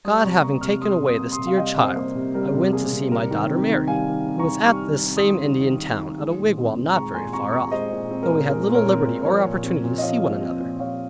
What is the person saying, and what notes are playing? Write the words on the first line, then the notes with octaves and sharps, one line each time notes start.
God having taken away this dear child, I went to see my daughter Mary, who was at this same Indian town, at a wigwam not very far off, though we had little liberty or opportunity to see one another.
G3 C6 D#6
C3 A#5 C#6
A#3 A#5 C#6
C3 C#6 F6
G3 C6 D#6
C3
C6 D#6
A#3
C6 D#6
C3
F5
G3 D#5 G5
C3
C5 D#5
A#3
C3
G3 A#4
C3
A#3 G#4
C3
G3 A#4
D#3
C4
D#3
G3 F5 G#5
D#3
C4
A#5 C#6
D#3
G3 C#6 F6
D#3
C4
C6 D#6
D#3
G3
D#3
C4
D#3
G#3
A#2
C4
A#2
G#3 A#5 C#6
A#2 G#5 C6
C4 A#5 C#6
A#2 A#5 C#6
G#3 C5 D#5
A#2
C4
A#4
A#2
G#3 A#4
A#2
A#4 C#5
C4
A#2
F3 A#4 C#5
A#2
C4
A#2
D#5
F3 C#5 F5
A#2
C4
A#2
F3 C#5 F5